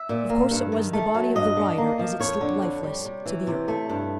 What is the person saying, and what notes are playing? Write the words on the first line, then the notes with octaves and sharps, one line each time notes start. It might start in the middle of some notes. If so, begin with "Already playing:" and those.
Of course it was the body of the rider as it slipped lifeless to the earth.
Already playing: E5
A#2
A#3
G2
D#3
A3
F#3
G2 D#5
D3
A#3
F3
F2 C#5
D3
F2
G3
C3
E3
C3
A3
G2